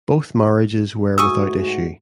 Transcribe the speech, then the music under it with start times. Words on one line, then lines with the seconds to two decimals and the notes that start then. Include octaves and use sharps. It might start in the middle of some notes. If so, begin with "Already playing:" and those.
Both marriages were without issue.
1.18 G#2 A3 F#4 G#5 C#6 D#6 E6